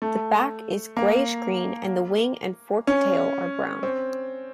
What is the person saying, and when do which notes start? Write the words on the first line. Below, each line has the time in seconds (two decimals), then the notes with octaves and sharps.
The back is grayish-green, and the wing and forked tail are brown.
0.02 A3
0.97 A#3
2.87 C#4
3.83 C4